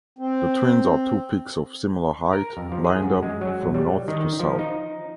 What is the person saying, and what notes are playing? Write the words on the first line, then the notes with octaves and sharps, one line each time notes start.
The Twins are two peaks of similar height lined up from north to south.
C4
A#4
F2
F3
G#4
F#2
G#3
F#3
B1
G3
D#3
F3
D#4